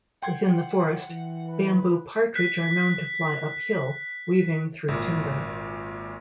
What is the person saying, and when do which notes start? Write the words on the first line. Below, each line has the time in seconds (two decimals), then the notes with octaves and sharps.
Within the forest, bamboo partridge are known to fly uphill, weaving through timber.
0.23 F#5 G5 C6 G#6
1.10 E3
1.47 B4
2.35 F#6 B6
4.88 G#1 A#2